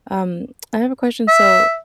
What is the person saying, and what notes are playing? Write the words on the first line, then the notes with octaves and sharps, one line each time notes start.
Um, I have a question. So,
E5